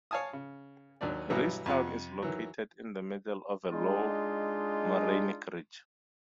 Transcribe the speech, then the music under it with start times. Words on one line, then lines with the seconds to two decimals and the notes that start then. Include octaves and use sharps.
Ridgetown is located in the middle of a low morainic ridge.
0.11 C#5 F5 G#5 A5 D#6
0.33 C#3
1.01 D#2 F#3 D4 D5
1.30 G2 B2 E3 F#3 G3
1.66 F2 C3 F#5
2.22 D#3 E3 F#3
3.71 G#3 D4 D#4 F4